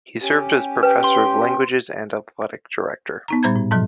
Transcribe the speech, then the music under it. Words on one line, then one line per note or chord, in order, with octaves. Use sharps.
He served as Professor of Languages and athletic director.
C#4 G4
B4 G5
C6
B3 D#4 A#5
A#2 G3 C5 A#5 G6 G#6
A2
G#2 B2 F3 F#3